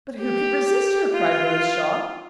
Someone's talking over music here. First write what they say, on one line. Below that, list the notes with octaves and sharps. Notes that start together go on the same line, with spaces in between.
"But who could resist her?" cried Rose Shaw.
G4
F4